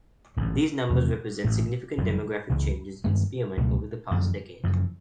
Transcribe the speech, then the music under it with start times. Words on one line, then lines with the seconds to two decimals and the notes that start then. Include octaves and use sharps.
These numbers represent significant demographic changes in Spearman over the past decade.
0.37 A1 G2 D3
0.90 E2 C3 F3 A3
1.44 A1 A2 E3 A3
1.98 F#1 F#2 D3 G3
2.50 C#2 C#3 E3
3.04 G2 D#3 G#3 B3
3.57 C#2 B2 F#3 A3
4.11 F#2 D3 F3
4.64 F#2 C#3 F3